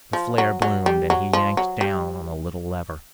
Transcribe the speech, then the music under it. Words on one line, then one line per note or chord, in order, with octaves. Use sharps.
The flare bloomed, and he yanked down on the little lever.
F3
F#3
F#3
G3
F#3
F3
F#3
G3